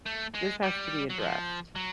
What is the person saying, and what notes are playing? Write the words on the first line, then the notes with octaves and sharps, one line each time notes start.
This has to be addressed."
A3
G#3
G3
F#3
F3
F#3